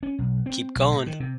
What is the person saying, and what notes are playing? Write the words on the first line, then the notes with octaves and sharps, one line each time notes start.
Keep going.
C#4
B1
C4
B1
A2
D#3
C3